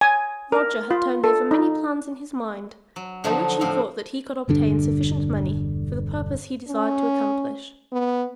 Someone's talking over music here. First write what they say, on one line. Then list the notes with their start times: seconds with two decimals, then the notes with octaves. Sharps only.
Roger had turned over many plans in his mind, by which he thought that he could obtain sufficient money for the purpose he desired to accomplish.
0.01 G#5
0.52 A#4
0.91 F4
1.24 A4
1.51 D#4
2.96 F#3
3.24 D3 F3 F#3 D#4
3.61 A2 F3 C4
4.48 E1 G2 D3 D4
6.68 C#4
7.92 B3